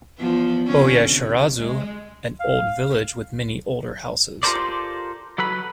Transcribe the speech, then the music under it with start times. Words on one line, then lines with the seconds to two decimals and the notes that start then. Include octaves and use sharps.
Oyashirazu - An old village with many older houses.
0.18 E2 F3 B3
0.67 D3 C#4
1.06 C3
1.59 G#3
2.40 F5
4.43 F4 G4 A4 A#4 C5 D5
5.38 F#3 A4 B4 B5